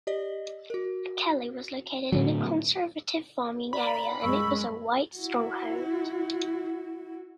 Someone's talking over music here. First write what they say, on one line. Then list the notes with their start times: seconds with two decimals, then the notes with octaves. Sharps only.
Mikkeli was located in a conservative farming area and it was a White stronghold.
0.07 G4 D5 D#5
0.70 F#4 A#4
2.12 A2 D3 F#3
3.73 D5 A#5 B5
4.23 F#2 G#3 C#6 E6
5.17 E4 F#4